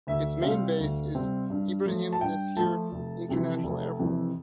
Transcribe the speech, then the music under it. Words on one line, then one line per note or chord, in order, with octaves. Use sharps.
Its main base is Ibrahim Nasir International Airport.
D2 E5
C3 G3 C4 F5
D2
C3 G3 C4
G2
F3 A3
A5
G2 G5
F3 A3 A5
F1
F2 C3 E3
F1
F2 C3 E3